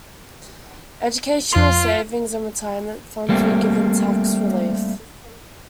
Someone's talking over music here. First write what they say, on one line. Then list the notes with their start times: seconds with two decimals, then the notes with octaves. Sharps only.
Educational savings and retirement funds were given tax relief.
1.53 F2 F4 C6
3.29 G3 A3 A#3 C4